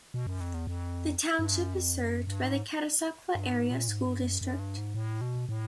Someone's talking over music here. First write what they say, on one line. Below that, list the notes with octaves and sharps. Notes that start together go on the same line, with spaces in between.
The Township is served by the Catasauqua Area School District.
B2
F#2
F2
E2
F2
G2
F#2
F2
F#2
G2
G#2
G2
G#2
A#2
G#2
G2
F#2
F#2
G2
G#2
A2
B2
A2